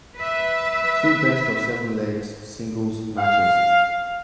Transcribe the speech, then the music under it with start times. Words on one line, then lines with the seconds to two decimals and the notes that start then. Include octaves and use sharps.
Two best of seven legs singles matches.
0.16 B4 E5
3.17 F5